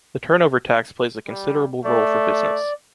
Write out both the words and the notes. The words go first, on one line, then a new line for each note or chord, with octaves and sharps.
The turnover tax plays a considerable role for business.
G3
A3 D5